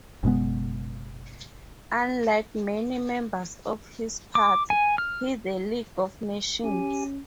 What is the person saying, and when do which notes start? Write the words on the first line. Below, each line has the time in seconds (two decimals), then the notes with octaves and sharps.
Unlike many members of his party, he the League of Nations.
0.23 F#1 B2 G#3 B3
4.35 D6
4.70 G#5
4.98 F6
6.64 C#4 G4 G#5